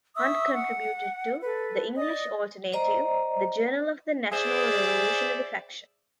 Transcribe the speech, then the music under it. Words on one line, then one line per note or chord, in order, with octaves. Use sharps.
Hunt contributed to "The English Alternative", the journal of the National Revolutionary Faction.
E5 C#6 D#6 E6
F#5
A4 B4
D5 D#5 D#6
C5 D5 D#5 A#5
G#4 C5 D5 E5